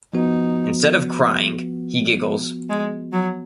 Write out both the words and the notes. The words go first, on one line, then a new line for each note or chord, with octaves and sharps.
Instead of crying, he giggles.
F3 B3 D#4 F#4
G#3
F#3